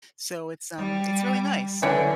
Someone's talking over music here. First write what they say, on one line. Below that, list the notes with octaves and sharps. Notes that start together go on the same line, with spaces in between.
So it's, um it's really nice,
G3
D3 E3 F#3 C#4 D4